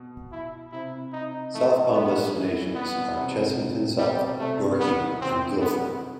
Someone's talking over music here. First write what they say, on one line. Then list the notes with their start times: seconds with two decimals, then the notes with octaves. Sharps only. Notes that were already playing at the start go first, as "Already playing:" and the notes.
Southbound destinations are Chessington South, Dorking and Guildford.
Already playing: B2
0.32 E4
0.72 C3 E4
1.13 D#4
1.54 E3 A3
1.94 F#3 B3
2.35 E3
2.62 G3
2.75 B3
2.96 B2
3.17 C3
3.98 B2 G3
4.12 C3
4.25 C3
4.39 C3 A3
4.80 D#3 B3
4.90 E3
5.00 D#3
5.11 C3
5.21 E3 C4
5.61 B3